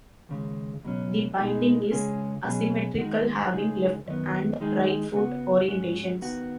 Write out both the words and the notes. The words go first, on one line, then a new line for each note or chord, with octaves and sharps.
The binding is asymmetrical, having left and right foot orientations.
D#2 C#3 G#3
C#2 B2 F#3 C#4
B2 G#3 D#4 G#4
C#2 C#3 G#3 C#4 G#4
B2 F#3 C#4 G#4
D#3 G#3 D#4 F#4
C#3 G#3 D#4 G#4
F#2 D#3 B3
D#3 G#3 D#4 G#4
C#3 B3 F#4
G#2 G#3 C#4 F#4
D#2 D#3 B3 F#4